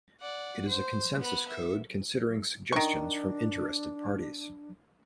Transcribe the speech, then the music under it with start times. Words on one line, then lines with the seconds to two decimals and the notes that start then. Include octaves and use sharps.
It is a consensus code considering suggestions from interested parties.
0.20 D5 F#5
0.67 C5
1.19 B3 B5
1.48 E5
2.72 D#3 D4 C#6